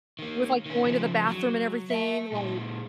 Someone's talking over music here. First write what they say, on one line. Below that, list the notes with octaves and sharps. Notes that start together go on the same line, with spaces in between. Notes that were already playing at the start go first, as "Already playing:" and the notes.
with, like, going to the bathroom and everything, like
D#3 A#3
D#3 C#4
C#3 F3
F#3
E5 A5
A#2 G#3